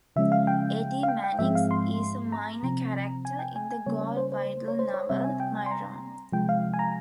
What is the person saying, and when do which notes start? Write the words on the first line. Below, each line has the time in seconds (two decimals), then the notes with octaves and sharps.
Eddie Mannix is a minor character in the Gore Vidal novel "Myron".
0.16 C#3 F3 G#3 C#4 E5
0.32 F5
0.47 G5
1.03 F5
1.08 G5
1.24 G5
1.39 G#2 F3 G#3 C4 E5
1.55 F5
1.71 C6
2.32 A#5
2.63 C3 F3 C4
3.25 G#5
3.39 G5
3.56 G#5
3.71 G#5
3.86 C#3 G3 A#3 C#4 C#5
4.01 C#5
4.17 C5
4.32 C5
4.68 C#5
4.79 C5
4.94 C#5
5.09 C3 G3 C4 E5
5.24 G#5
5.40 G5
5.56 G#5
5.66 C6
5.71 A#5
6.32 C3 F3 G#3 G5
6.49 F5
6.74 G#5
6.79 A#5